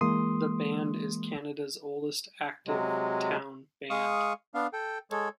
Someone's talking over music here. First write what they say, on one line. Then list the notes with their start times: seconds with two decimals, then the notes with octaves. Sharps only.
The band is Canada's oldest active town band.
0.01 E3 G#3 A#3 C6 D#6
2.67 C3 F#3 G#3
3.90 G#3 F5 C#6 D#6
4.54 B3 D4 F5
4.73 A4 G5
5.11 G#3 A4 C#5